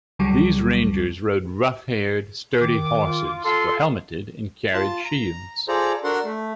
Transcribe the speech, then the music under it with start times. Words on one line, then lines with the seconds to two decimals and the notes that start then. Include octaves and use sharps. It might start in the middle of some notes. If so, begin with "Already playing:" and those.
These Rangers rode rough-haired, sturdy horses, were helmeted and carried shields.
0.19 C#2 D3 F#3 G3
2.61 D#3 D6
3.07 F4
3.44 F4 A4 C6
4.73 F4 A5
5.05 A#5
5.68 F4 G#4 A4 C5 D5 A#5
6.04 D4 F#4 A4 A#4 F#5 C6
6.24 A3